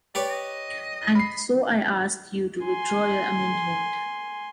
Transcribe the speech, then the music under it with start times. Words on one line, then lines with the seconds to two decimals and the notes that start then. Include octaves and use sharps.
And so I ask you to withdraw your amendment.
0.15 G4 B4 C#5 D5
0.29 D#5
1.15 B5 C7
2.64 G#5 C6